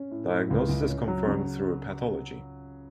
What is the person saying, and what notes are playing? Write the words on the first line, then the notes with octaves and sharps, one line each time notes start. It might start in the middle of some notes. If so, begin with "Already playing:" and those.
Diagnosis is confirmed through pathology.
Already playing: C#4
A2
A2
C#2
C#2
C#4
F#3
C#3